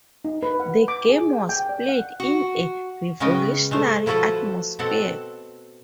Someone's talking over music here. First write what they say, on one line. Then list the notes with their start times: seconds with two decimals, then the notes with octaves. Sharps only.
The game was played in a revolutionary atmosphere.
0.25 D#4
0.43 B4
0.60 F#5
0.88 D6
1.09 G#4
1.49 G5
1.69 D5
1.89 F#5
2.20 F#4
3.20 C#3 G#3 B3 C#4 D#5 G5
3.71 G#3 A3 C5
4.06 F3 E4 F#4 A4 B4 C5
4.79 B2 C4 A4 F#5